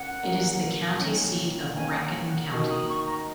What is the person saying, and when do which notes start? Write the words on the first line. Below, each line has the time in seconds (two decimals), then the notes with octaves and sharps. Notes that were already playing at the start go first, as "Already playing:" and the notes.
It is the county seat of Bracken County.
Already playing: C#4 A#4 F#5
0.23 A#3 C#4 A#4
0.99 D#3 A#3 C#4
1.75 D#3 A#3 C#4 G#5
2.00 F#5
2.25 F#5
2.51 D#3 A#3 D#4 F#4 A#4 C#6
2.69 D#6
2.89 C#6
3.07 A#5